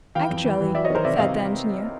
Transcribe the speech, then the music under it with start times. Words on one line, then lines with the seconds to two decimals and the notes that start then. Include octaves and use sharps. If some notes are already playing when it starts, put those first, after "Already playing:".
'Actually,' said the engineer.
0.15 E3 F5 G5
0.31 F2
0.45 E3
0.60 E3
0.75 F#3 D5 E5
0.85 C#5 D#5
0.90 D#3
0.95 A#4 C5
1.04 C3 D5 E5
1.19 C3 D#5 F5